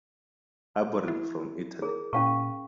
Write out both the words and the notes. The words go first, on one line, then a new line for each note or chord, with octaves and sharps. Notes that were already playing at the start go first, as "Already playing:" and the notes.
Aborym from Italy.
E4
G#4 A#4
A#2 C#4 F5 C#6